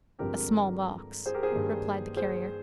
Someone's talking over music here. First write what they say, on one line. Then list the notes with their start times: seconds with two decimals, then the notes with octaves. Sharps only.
"A small box," replied the Carrier.
0.19 G2 D3 F3 G#3 C4 G4 A#4
1.26 G#4 C5
1.34 G4 A#4
1.43 G#4 C5
1.51 G2 D#3 G3 A#3
2.17 G#4 C5